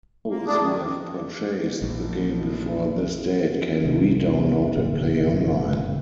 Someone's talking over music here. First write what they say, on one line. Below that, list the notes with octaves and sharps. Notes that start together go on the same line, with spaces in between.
Those who have purchased the game before this date can re-download and play online.
A#3
A2 D4 G#4 D6 D#6
D#3
A#1
C2 C3 G#3 C#4
F1 F#2 A#2 D3